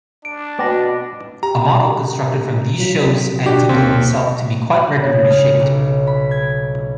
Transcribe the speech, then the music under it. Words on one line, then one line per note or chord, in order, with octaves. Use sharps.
A model constructed from these shows Antigone itself to be quite regularly shaped.
D4 D7
B2 B3 D6 A#6
G4 A#5
F#3 F4 B6
D4 F#4 G4
D#2 C4 C6 B6
F#5
C#3
F6
B1
B5
G#6